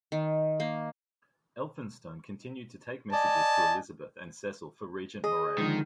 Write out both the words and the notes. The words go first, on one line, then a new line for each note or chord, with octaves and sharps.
Elphinstone continued to take messages to Elizabeth and Cecil for Regent Moray.
D#3
A#3
D5 D#5 G#5 A5
G#4 D#5
D3 D#3 F3 G#3